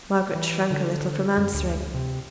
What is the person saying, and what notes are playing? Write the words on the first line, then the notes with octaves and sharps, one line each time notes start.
Margaret shrank a little from answering.
E3
D3
F#2
D2
C3